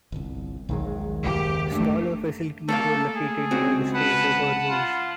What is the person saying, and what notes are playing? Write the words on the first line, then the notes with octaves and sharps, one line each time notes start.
Smaller facilities were located near the Strait of Hormuz.
G1 C2
A#1 D#2 D#3 F#3 G#3
F#1 F#2 G4
G1 A3 A#3 D4
A3 A#3 A4 F5
G#4
C#2 C4 F#4
B4 F#5 A5 B5
F4